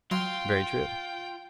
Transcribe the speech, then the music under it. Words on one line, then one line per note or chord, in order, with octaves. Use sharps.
Very true.
F#3 F4 F5 G5 C6